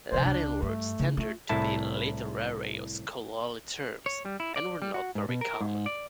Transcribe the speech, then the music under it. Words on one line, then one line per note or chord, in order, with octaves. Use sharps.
Latin words tended to be literary or scholarly terms and were not very common.
C3 F3 C5
C#2 D4
G2 A3
C#3 D#4
A3 F4
C2 A2 E4 A5
C#5
G3
E4
D5
G3
F#4
G#2
B2
A#4
G#2
D5